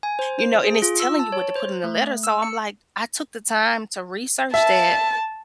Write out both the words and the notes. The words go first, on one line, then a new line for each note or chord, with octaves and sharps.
You know, and it's telling you what to put in the letter, so, I'm like I took the time to research that,
G#5
C5
C5
G#4
F4
E6
A5
C#5
C5
A3
E6
C#7
E5 A5